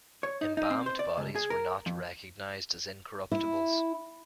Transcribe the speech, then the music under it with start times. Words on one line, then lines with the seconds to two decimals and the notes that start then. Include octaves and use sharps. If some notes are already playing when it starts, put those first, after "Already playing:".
Embalmed bodies were not recognized as incorruptibles.
0.23 C#5
0.41 D#4
0.57 D#4
0.70 C4
0.86 C5
0.99 D5
1.17 C#2
1.35 G#4
1.50 A#4
1.86 F2
3.32 E4